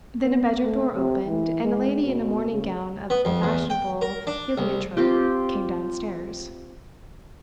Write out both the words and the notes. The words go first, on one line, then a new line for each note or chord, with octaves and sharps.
Then a bedroom door opened, and a lady in a morning gown of the fashionable heliotrope came downstairs.
B3
A3
C3
E3
G#3
B2
C#3
B3
F2
E2
G5
A#4
D4
C2
C4 F4 G4